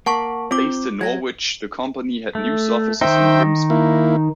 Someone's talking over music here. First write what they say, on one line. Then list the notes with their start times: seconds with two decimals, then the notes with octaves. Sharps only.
Based in Norwich the company had news offices in Grimsby.
0.06 A#3 F#5 A5 C#6
0.51 C4 F4 D6
1.01 F#3 G#6 A#6
2.35 A3
3.01 D#3 D#4 C5 E5 G5
3.70 A#3 E4